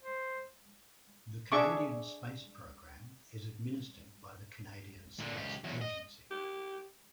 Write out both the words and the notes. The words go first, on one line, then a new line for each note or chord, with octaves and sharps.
The Canadian Space Program is administered by the Canadian Space Agency.
C5
D4 G#4 E5 C#6 D6
A#2 D3
C#2 G4
E2 F#3
D#5
G4